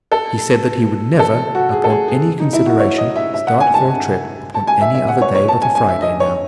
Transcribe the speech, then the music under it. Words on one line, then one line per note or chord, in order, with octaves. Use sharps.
He said that he would never, upon any consideration, start for a trip upon any other day but a Friday now.
A4
A4
F#4
G#4
A4
G#4
G#4
D#4
E4
F#4
C#5
D#5
E5
E5
F#5
G#5
A5
A5
G#5
E5
E5
F#5
C#5
C#5
A5
G#5
G#5
E5
D#5
C#5